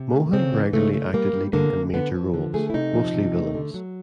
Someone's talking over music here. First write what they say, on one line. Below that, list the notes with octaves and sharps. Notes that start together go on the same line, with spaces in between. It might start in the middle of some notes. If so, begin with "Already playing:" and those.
Mohun regularly acted leading and major roles, mostly villains.
Already playing: C3
A3
C#3 C4
E3
C#3 A3
A3
G3 A#3
G3
D3 A#3
D3
D3 B3
F3
D3
A3 G#4
E4
C3 D#4
F3
C3
A3
D3
F#3